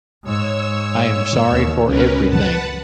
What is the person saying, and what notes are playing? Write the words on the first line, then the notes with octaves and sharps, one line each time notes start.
I am sorry for everything.
G#2 C#5 E6
D#2
C#2 C#4 A#4 B4
B4 F#5 A5